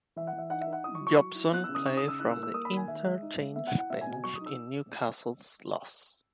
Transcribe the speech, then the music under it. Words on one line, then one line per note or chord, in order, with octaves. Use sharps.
Jobson played from the interchange bench in Newcastle's loss.
E3 E5
F#5
E3
E5
D#4 F#5
E5
D#4
F#5
E4 D#6
C#6
F#3
C#6
F#3 C#6
E4
B3 F#6
E6
C#3
D#6
D#4 C#6
D#6
C#3
E6
E4 F#6
E6
A#3
E6
A#3 D#6
B5
D#3
G#5
D#3 E5
G#3
D#4
G#3
B3 E5
F#5
E4
F#5
B2 E5
G#5
B2
G#5
F#3 C#6
D#6
D#4
E6